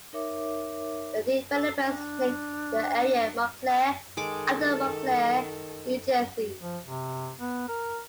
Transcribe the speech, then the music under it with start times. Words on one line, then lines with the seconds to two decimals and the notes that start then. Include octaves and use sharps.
The developers named the area Montclare, after Montclair, New Jersey.
0.13 D#4 A#4 C#5 E5 D6
1.50 A4
1.83 D4
4.17 D#3 G#3 A4 D6
6.61 F3
6.86 C3
7.40 B3
7.69 A#4